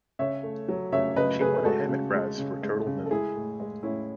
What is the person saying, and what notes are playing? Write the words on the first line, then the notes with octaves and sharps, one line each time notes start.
She won a Hammett Prize for "Turtle Moon".
C#3 C#5 E5
A3
F#3
C#3 C#5 E5
C#3 B4 D#5
A3 G#4 B4
B4
G#3 F#4 A4
C#3
G#3
C#3
G#3
C#3
A4
G#3 E4 G#4
A2
G#3
A2 C#4 E4